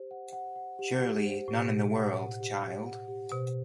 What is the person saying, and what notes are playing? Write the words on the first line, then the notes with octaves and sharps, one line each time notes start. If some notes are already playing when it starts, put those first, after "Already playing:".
Surely, none in the world, child.
Already playing: G4 C5
F#5
F#5
F#5
G4
G4
C5
A2 G4
B2
A2
G4
F#5
F#5
G4
G4
F#5
G4
B2 C5